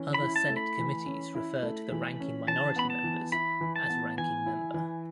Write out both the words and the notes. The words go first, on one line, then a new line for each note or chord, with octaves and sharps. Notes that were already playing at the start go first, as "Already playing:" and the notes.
Other Senate committees refer to the ranking minority members as Ranking Member.
Already playing: E3 C#4
B5
E4
A5
A3
B5
E3
C#4
E4
A3
E3
C#4
E3 A5
B3 B5
A5
E3
E4 B5
E3
A5
B3
E3 G#5
E4
E3